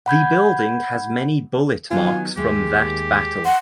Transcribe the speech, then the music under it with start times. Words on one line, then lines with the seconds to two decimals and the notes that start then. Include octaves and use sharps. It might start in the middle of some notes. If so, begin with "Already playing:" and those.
The building has many bullet marks from that battle.
0.06 F#5 B5 G6 G#6
1.91 D#3 F#3 B3 F4 G#5
2.37 D#2 G#3 A3 G4
3.45 F#5 C6